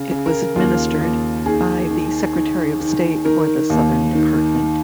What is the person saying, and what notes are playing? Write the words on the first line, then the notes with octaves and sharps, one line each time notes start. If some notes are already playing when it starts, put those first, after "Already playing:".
It was administered by the Secretary of State for the Southern Department.
Already playing: C#3
C#3
A#4
D#2 F4
D#2
D#3 G#4
D#3
D#3
D#3
D#3 A#4
D#2
D#3